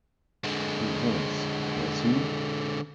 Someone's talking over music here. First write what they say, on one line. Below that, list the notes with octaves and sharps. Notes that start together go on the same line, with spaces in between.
He has, has he?
D3 G#3